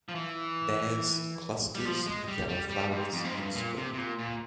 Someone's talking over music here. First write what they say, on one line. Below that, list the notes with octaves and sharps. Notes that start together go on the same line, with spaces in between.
Bears clusters of yellow flowers in spring.
F3
E3
G3
F3
G#3
G3
G3
G3
G#2
F2
G#2
G2
A#2
C3
C3
A#2
A#2